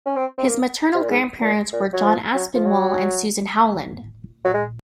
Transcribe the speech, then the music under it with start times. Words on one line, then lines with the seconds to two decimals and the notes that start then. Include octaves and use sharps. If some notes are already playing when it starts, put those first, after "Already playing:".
His maternal grandparents were John Aspinwall and Susan Howland.
0.06 C#4
0.16 C4
0.38 C4
0.47 A#3
0.95 C3
1.02 A#2
1.09 G#2
1.41 A#2
1.73 A#2
1.93 F#3
2.04 F3
2.35 F#3
2.55 F3
2.66 F#3
4.45 F#3
4.54 G#3